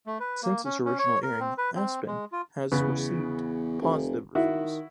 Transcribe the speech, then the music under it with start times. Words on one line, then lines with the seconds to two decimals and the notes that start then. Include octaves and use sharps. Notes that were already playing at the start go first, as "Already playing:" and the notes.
Since its original airing "Asspen" has received positive reviews.
0.06 A3
0.20 B4
0.43 A#3
0.65 C#4
0.85 C#4
0.99 C#5
1.23 A#4
1.40 C4
1.58 B4
1.76 C4
2.07 G#3
2.32 F4
2.72 E2 C#3 B3
3.81 F1
4.35 D#3 E4 F#4